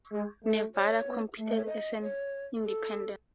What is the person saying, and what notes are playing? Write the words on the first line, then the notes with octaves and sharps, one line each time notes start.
Nevada competed as an independent.
G#3
A3
C#5
B3
A3
D#5
C#5
D#5
C#5
A4